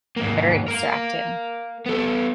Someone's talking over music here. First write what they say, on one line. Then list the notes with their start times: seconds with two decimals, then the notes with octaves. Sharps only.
Very distracting.
0.17 G#2 A#3
0.68 A#4 F5
1.86 B3 A4